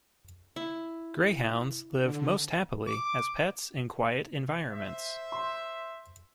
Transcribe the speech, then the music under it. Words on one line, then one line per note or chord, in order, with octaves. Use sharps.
Greyhounds live most happily as pets in quiet environments.
E4
D3
D6
C5 E5
C6